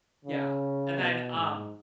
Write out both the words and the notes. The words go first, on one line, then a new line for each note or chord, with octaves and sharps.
Yeah, and then, um
C#3
B2
G#2